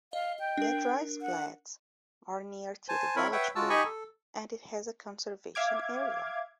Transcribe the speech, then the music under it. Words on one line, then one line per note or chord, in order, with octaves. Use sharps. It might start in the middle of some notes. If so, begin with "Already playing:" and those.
Mid-rise flats are near to the village green and it has a conservation area.
D#5 F5
G5
D4 A#4
F#5
C5 G#5 A5
C4 E4 A#4 C#5 B5
B4 C#5 E5 F#5 G5
G#3 F4 F#4 A5 E6
D#4 G4 D#5 G#5 B5 C#6
A4
E5 F5 D6 G#6